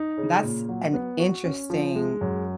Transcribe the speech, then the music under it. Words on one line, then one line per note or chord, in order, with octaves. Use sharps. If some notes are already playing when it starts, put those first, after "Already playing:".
That's an interesting
Already playing: D#4
C#3
A#2
F#3
B3
F#4
C#4
F3
G#3
F#2